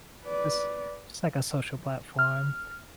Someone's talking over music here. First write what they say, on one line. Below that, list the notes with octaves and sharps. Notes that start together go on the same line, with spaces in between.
just just, like a social platform,
B4 D5
F6